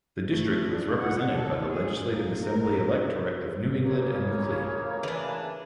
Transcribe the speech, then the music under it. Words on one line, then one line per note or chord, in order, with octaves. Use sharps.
The district was represented by the Legislative Assembly electorate of New England and Macleay.
A3
D4
F#5
A4
G#4
A#3
A#4
A1 C#3 A#3 C#5
E3 D4